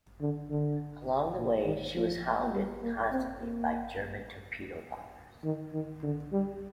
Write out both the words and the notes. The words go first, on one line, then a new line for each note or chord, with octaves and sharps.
Along the way she was hounded constantly by German torpedo bombers.
D3
D3
A#2
D#3
F3
G3
A#3
C4
A#3
D#3
D#3
D3
G3